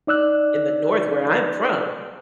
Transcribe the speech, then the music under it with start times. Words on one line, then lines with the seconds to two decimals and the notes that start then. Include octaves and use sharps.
in the North where I'm from.
0.07 D#4 D5 E6 F#6